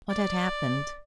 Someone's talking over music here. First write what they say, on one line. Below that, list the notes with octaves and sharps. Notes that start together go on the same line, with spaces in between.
What had happened?
D5